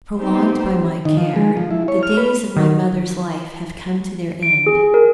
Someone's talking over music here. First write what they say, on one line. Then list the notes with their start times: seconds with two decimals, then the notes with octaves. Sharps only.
Prolonged by my care, the days of my mother's life have come to their end.
0.18 B3 C4 D#4 G4 C5
1.05 D#3
1.17 F3
1.36 G#3
1.57 F3
1.71 E4
1.88 C#5
2.03 F6
2.17 B4
2.57 D#3
4.43 D7
4.67 G#4
4.94 A#4